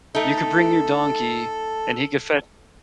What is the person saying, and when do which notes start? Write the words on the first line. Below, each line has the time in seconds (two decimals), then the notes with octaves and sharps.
you could bring your donkey and he could fetch"
0.15 A3 D#4 A4